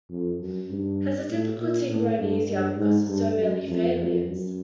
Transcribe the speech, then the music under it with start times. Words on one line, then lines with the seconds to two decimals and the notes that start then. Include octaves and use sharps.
Has the difficulty grown easier because of so many failures?
0.10 F2
0.40 F#2
0.70 G2
1.29 A2
1.59 A#2
1.89 A2
2.19 G2
2.49 G2
2.78 G#2
3.08 G2
3.38 F#2
3.68 F2
3.98 F2
4.27 F#2